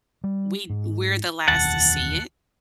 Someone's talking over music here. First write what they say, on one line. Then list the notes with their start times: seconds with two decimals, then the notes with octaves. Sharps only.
we we're the last to see it?
0.24 G3
0.70 G#2
1.48 F1 D#2 F#5 A5